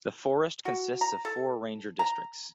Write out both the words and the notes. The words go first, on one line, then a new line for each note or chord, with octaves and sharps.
The forest consists of four ranger districts.
F#4
A#5
A4
A#5